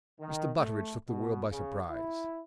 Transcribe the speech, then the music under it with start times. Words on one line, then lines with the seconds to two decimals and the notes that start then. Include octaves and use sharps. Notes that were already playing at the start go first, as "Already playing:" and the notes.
Mr. Butteridge took the world by surprise.
0.20 D#3
0.59 A3
1.09 B2
1.51 C#3
1.91 E4